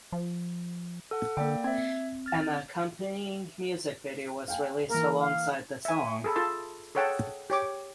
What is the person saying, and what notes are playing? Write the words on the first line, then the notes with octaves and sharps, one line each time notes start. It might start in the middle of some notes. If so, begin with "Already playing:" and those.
An accompanying music video was released alongside the song.
F3
A4 F#5
D3 A#3 D5 G5
C4 E5 G#6
F6 A6
F5 G5 G#5
E3 A#3 A#4
F5
E5 G#5
G#4 A4 B5
F4 A4 A5 C6
G#4 A4 C#5 F#5 G5 A5
G4 C#5 D6